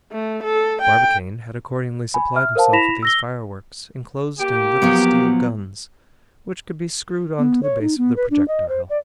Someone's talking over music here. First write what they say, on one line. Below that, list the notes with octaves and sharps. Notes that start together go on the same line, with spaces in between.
Barbicane had accordingly supplied himself with these fireworks, enclosed in little steel guns, which could be screwed on to the base of the projectile.
A3
A4
G5
G#5 B5
E5 F6
A#4 C5 F5 A5
E4 B5 A#6 B6 E7 F7
E6 A#6 G7
A#3 G4
F3 F#3 B3
B3
C#5
D#4
B3
B4
D4
D#5
C5
D5